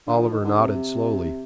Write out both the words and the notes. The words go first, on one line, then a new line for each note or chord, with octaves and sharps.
Oliver nodded slowly.
D3
F3
D#3
D3
C3